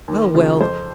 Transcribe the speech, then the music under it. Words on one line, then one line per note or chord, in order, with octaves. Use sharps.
'Well! well!
D#2
C#3 F3
F2 C5